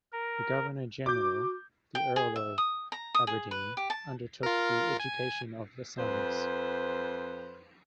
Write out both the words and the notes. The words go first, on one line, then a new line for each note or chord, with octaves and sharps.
The Governor-General, the Earl of Aberdeen undertook the education of the sons.
A#4
F#4 D6 G6
G5
G#4
E5
D#6
A#5
D#6
G#4
B4
G4
A5
F4 A#4
G#5
F2 B4 C5